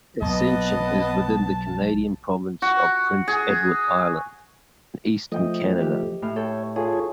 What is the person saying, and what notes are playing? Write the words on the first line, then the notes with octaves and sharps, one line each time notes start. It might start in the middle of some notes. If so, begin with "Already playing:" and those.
Ascension is within the Canadian province of Prince Edward Island, in Eastern Canada.
B1 F#3 A#3 B3 D#5 A5
F#4
G#4
F3 A3 D#5 G5
G4
A2 F6
A4 C#5 G5
F4 G#4 A4 C#5